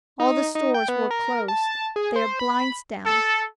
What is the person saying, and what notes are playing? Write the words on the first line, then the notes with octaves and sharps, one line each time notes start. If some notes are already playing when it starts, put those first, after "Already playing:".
All the stores were closed, their blinds down.
D#4
D#4
G5
B3
A#4
A5
G#4
C5
B5
A4